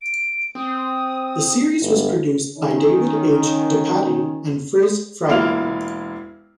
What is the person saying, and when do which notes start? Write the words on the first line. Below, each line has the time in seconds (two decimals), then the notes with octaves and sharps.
The series was produced by David H. DePatie and Friz Freleng.
0.01 D7
0.55 C4 D#6
1.81 G1
2.58 D#3 C#4 D#4
5.28 E1 A#3 E4 F4 F5 F7